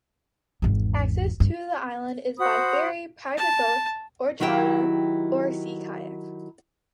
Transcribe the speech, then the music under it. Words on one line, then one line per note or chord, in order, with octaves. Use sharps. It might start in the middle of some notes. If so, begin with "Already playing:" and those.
Access to the islands is by ferry, private boat or charter or sea kayak.
G#1 E2
G2
F#4 C5 B5 D#6
A5
D#3 F#3 E4 G4 D5 G5